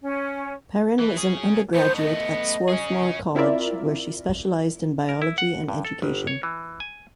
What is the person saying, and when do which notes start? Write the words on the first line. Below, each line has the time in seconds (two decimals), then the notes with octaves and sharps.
Perrin was an undergraduate at Swarthmore College where she specialized in biology and education.
0.01 C#4
1.00 E3
1.17 C#4 G#4
1.74 A3 B3 C5
1.96 D#5
2.69 C#4 G#4
3.35 C4 E4 F4 A#4 D5 E5
5.09 A#4
5.22 E4
5.38 F#5
5.68 G2
5.85 A4
6.02 G1
6.27 C#5
6.43 E3
6.80 G#5